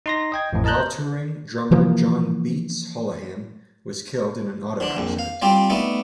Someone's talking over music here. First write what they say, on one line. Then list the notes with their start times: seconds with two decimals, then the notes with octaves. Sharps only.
While touring drummer John "Beatz" Holohan was killed in an auto accident.
0.06 D#4 C6 A#6
0.32 D#5 G5 G#6
0.53 A1 F2 A2
0.64 A#4 D#5 A5 A#5 F#6 G6
1.71 C3 E3 F3 A#3
4.80 D3 D4
4.97 A#1 F2
5.19 F5
5.42 G3 C4 F4 D5
5.70 A3 B3 D#4 D5